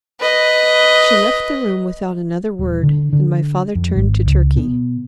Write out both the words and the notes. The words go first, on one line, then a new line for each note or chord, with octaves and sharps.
She left the room without another word, and my father turned to Turkey.
B4 D#5
D#1
D3
D3
F2
G#1
C#2
B2